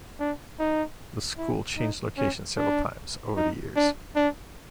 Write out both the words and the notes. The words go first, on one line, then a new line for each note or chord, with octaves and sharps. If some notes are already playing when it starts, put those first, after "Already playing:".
The school changed location several times over the years.
D4
D#4
E4
D#4
C#4
D4
D#4
D4
D4